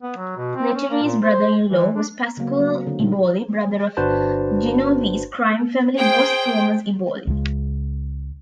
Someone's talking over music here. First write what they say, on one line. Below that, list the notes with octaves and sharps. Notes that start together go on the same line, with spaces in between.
Lettieri's brother-in-law was Pasquale Eboli, brother of Genovese crime family boss Thomas Eboli.
B3
F#3
B2
C4
C#4
A#3
A#2
C5
E3
D4
C#3 F#3 A#3 B3
F#3
C4
D3 G#3
A#2 G3 B3 D#4
G1 D4 F#4 B4 C5 A5
G#4 C5 G5
C#2 C#3 G#3